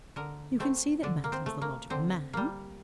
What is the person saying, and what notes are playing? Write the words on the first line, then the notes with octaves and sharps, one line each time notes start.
"You can see that Manton's the logical man?"
D3 A#4
A3 C4
D3 D4
A#3
C4
A3
A#3
D3 C4
G3 A#3